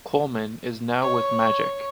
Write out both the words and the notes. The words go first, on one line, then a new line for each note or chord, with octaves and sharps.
Colman is now with Magic.
C#5